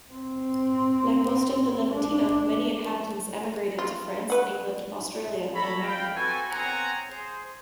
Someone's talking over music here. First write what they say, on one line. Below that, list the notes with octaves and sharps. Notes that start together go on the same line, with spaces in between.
Like most of the Leventina, many inhabitants emigrated to France, England, Australia and America.
C4
D4
F4
B4 F#5
A4 C#5 A#5 B5
F5 G5 B5
C4 F#4 A4 B4 G#5
B3 C4 C#5 F#5 G#5 A#5
G#4 C5